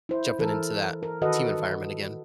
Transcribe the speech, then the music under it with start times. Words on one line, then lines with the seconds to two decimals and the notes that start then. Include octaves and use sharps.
jumping into that team environment again.
0.09 E4 C5
0.39 E3 A4 A#4
1.03 A#4
1.22 D#3 F#4 A4 B4 D#5 F#5